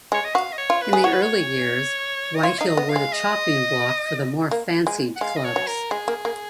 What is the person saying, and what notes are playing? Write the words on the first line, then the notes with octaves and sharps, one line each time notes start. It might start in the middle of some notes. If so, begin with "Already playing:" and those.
In the early years, Whitehill were the chopping block for the more fancied clubs.
G#3 C#5
D#5
F#4 F5
D#5
C#5
F4
B4
G#4
F#4 C#5
B4
C#5
D#5
F4 C#5
D#4 F5
D#5
B3
F5
G#3
D#5
A#3
G#3
F#5
G#3 F5
D#5
C#5
F#3
A#4
G#3 G#4
A#3
A#3